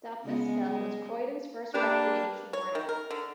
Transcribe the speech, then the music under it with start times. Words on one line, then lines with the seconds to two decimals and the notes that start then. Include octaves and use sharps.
Duppas Hill was Croydon's first recreation ground.
0.24 C#3 G#3 B3
0.66 G#3
1.74 A#3 D4 G4 A#4 B4
2.53 C#5
2.75 D#3
2.89 A#4
3.11 D3